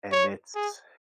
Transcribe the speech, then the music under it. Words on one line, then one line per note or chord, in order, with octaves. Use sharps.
and it's
C#5
G#4